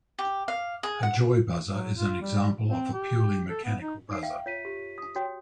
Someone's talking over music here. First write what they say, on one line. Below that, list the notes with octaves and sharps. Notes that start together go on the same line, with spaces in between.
A joy buzzer is an example of a purely mechanical buzzer.
G4
F5
G#4
F#5
F#3
F4
G3
C4
G4
A4
B3
D#4
D#4 D5 C7
E5 F5 G5
F4 C#5 B6 D#7
G4
D#6
F#4 C#5 G5